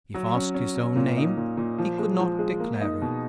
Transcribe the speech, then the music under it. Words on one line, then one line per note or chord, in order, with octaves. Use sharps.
If asked his own name, he could not declare it.
F#3
C#4
C#4
C#4
A#2
D#4
A#2
A#2
F3
G#3
F3
G#3
A#3
D#4
B2